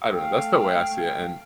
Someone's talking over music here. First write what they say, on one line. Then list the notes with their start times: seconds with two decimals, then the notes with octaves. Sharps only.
I don't know, that's the way I see it and
0.11 A3 F5 G5